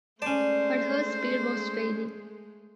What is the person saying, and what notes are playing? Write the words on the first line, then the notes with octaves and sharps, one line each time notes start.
But her speed was failing.
G#3 A3 C#4 C5 D5 A5